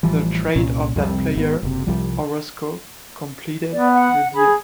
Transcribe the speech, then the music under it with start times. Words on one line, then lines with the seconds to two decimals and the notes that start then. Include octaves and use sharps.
The trade of that player, Orosco, completed the deal.
0.03 A1 E3 F3 G3
0.56 C2 A#2 C#4
0.96 C2 F2 C3 G3
1.36 G#1 C#3 B3
1.63 F#1 C3
1.87 C2 F3 G3
3.73 B3 D5
3.94 F#5
4.34 G#4 B5